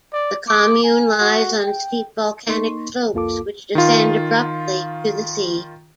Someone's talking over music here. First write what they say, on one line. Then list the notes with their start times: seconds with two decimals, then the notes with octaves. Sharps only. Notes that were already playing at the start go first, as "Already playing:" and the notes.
The commune lies on steep volcanic slopes which descend abruptly to the sea.
0.13 D5
0.48 D6
0.84 G#5
1.19 F#4
1.64 G5
2.47 A#3 D#4 C6 C#6
3.13 C2 F2 A#3 F4 A4 D6
3.75 D#3 F4